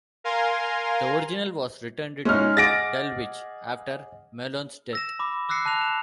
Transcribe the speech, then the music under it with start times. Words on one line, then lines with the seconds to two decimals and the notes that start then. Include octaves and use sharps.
The original was returned to Dulwich after Malone's death.
0.24 A#4 F5 G#5 A#5 C6
2.25 G#3 C#4 D#4 F6
2.57 G#4 D#5 F#5 D6 A6 A#6 D7
4.93 E6 A#6 E7
5.19 B5 D6
5.49 D6 E6 F#6 A#6 C7 C#7
5.66 A5 F#6 A#6 F7
5.81 E7